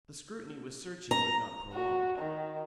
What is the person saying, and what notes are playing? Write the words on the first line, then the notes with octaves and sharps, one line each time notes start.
The scrutiny was searching but not prolonged.
A#5
F#4
D#3